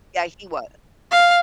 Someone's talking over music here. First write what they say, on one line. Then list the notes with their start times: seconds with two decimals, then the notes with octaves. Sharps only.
Yeah, he wa
1.12 F5